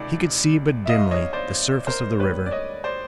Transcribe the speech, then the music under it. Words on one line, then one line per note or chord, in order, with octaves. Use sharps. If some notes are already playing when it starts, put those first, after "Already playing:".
He could see but dimly the surface of the river.
Already playing: C#2 C3 D#3 D5
E5
D#5 F5
C#5 D#5
C5 D5
A#4 C5
D2 D3 G3 A#3 B4 C#5
D5
C#5 D#5
C5 D5